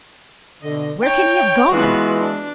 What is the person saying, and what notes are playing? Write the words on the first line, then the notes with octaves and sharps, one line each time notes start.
Where can he have gone?
B2 D3 D#5
D#4 C#5 G5
E3 G#3 B3 F4 F#4
D4